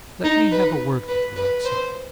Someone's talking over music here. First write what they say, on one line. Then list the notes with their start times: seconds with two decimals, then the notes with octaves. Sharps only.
Let me have a word with you outside.'
0.24 D#4
0.51 B4
1.08 B4
1.36 B4
1.65 C5